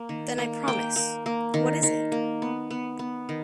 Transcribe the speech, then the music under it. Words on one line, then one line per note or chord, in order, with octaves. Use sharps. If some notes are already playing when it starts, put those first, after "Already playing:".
Then I promise; what is it?
Already playing: A#3
D#3
A#3
A#3 G5
A#3
A#3
D#3
D#3
A#3
B3
B3
B3
D#3